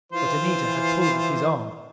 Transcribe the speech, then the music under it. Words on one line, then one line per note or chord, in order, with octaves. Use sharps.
But Anita had pulled at his arm.
E3 F4 C5